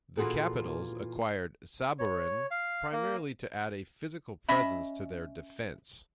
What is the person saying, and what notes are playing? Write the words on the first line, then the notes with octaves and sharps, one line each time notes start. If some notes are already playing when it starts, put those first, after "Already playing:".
The Capitals acquired Sabourin primarily to add a physical presence to their defence.
A#2 E3 F4 F#4 G#4 A4
C#5
F5
A#3
C#4 D#5 E5 B5